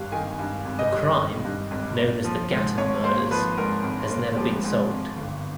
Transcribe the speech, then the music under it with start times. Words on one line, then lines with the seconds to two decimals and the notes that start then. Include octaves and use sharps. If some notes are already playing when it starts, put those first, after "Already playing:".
The crime, known as the Gatton murders, has never been solved.
Already playing: G#1 G2 G3 F5
0.12 D#3 G#5
0.39 G2
0.65 G#1
0.79 D#5
0.92 G3
1.18 D#3
1.44 G2
1.71 G#1
1.98 A#3
2.24 F3
2.51 G#2
2.78 G#1 C#5
3.04 A#3 C5
3.31 F3 B4
3.57 G#2 A#4
3.84 G#1
4.11 A#3
4.37 F3 G4
4.64 G#2
4.90 G#1
5.16 G1